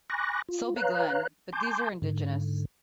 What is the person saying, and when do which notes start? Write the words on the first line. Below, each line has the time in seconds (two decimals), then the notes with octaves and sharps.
Sulby Glen, but these are indigenous.
0.10 G#5 B5 C#6 D6 F#6 A#6
0.48 F4
0.76 B4 C#5 F5 A#5 F#6
1.53 G#5 A5 C6 D6 G6
2.02 G#2 D3